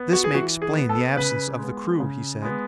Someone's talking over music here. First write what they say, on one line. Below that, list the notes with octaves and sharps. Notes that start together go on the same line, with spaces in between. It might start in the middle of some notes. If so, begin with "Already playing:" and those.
"This may explain the absence of the crew," he said.
Already playing: B3
F#4
G#4
E3 F#4
G#4
B3
A4
C#3 B4
G#3 B3
C#3
G#3 B3